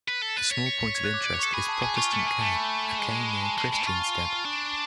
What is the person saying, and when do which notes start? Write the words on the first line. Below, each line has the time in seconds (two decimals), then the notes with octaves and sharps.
A small point of interest is Protestant Cay, a cay near Christiansted.
0.08 B4 B6
0.22 A4
0.36 B4 A6
0.51 C#5 B6
0.66 C#7
0.81 B6
0.95 G#6
1.04 F#6
1.14 D6
1.24 D5
1.34 C#5
1.39 A4 C#6
1.54 G#4 B5
1.69 A5
1.82 G#4 G#5
1.97 F4 C#6
2.12 A3 F6
2.26 G#4 G#5
2.41 A3 A5
2.56 B5
2.70 B5
2.99 G#3
3.28 B5
3.43 A5
3.58 G#3 A5
3.71 G#3 B5
3.86 F4 C#6
4.01 A5
4.45 D4